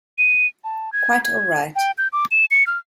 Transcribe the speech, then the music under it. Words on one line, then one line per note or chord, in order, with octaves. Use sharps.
Quite all right.
D#7
A5
G#6
G#6
G5
G6
D6
E7
C#7
F6